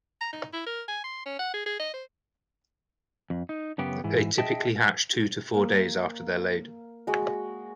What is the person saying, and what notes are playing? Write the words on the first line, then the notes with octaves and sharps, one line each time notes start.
They typically hatch two to four days after they are laid.
A#5
D#4
E4
A#4
G#5
C6
C#4
F#5
G#4
G#4
D#5
C5
F2
D#4
F#2 C#3 B3 G4
G#2 E3
G#4 D#5 E5 G5 A5
A#3
G#3 F#4